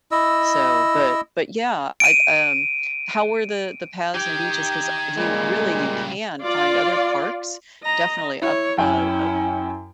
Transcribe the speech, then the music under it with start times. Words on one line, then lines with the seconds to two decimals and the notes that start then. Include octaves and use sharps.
So, but but yeah, I'd um, how were the the paths and beaches, 'cause, uh do you really you can find other parks definitely up uh uh
0.12 E4 D#5 E6
2.00 D7 D#7
4.14 D#4 G4 G5 G#6
5.18 A#2 C#3 G3 G#3
6.42 F4 D5
7.83 D#5 A#5
8.42 E4 C#5
8.78 F#2 C#4 E4 G5 G#5